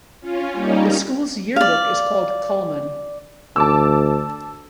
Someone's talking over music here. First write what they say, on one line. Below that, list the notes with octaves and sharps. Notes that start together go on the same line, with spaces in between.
The school's yearbook is called "Culmen".
C#4 F4
G3 A#3 C#4 D#4
D5 F5
D2 A5 D6 E6